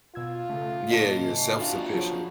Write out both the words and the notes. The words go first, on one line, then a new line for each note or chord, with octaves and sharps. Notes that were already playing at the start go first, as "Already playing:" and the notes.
Yeah. You're self-sufficient.
B2 F4 E6 G#6
C#3 A3
A#2 C#3 C#4 D#5 A5
E3
D4 F4 F#4 F5 A5
F3 F#4 G#4 C#5